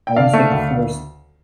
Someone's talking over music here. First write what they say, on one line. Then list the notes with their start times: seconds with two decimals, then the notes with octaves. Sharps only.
I wanna say the first
0.07 G5
0.16 D3 D5 F5
0.33 A3
0.51 D2